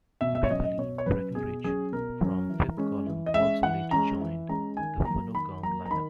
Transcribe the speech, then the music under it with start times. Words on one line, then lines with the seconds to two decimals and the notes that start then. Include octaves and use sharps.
Beverly Breckenridge from Fifth Column also later joined the Phono-Comb lineup.
0.21 B2 E5
0.35 E5
0.44 C#5
0.50 F#3 C#4 D#5
0.64 D#5
0.78 B2 C#5
0.98 C#5
1.06 F#3 C#4 B4
1.35 B2 G#4
1.64 F#3 C#4 G#4
1.92 B2 A#4
2.21 F#3 C#4
2.49 E3
2.77 G#3 C#4
3.06 E3
3.26 D#5
3.34 G#3 C#4 E5
3.63 E3 F#5
3.91 G#3 C#4 A#5
4.21 E3
4.49 G#3 C#4 A#5
4.77 D#3 G#5
5.05 F#3 A#3 A#5
5.34 D#3 B5
5.63 F#3 A#3 A#5
5.86 A#5
5.91 D#3 B5